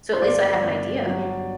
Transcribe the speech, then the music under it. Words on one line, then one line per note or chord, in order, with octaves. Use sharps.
so at least I have an idea?
C5
G1 D5
G1
F#3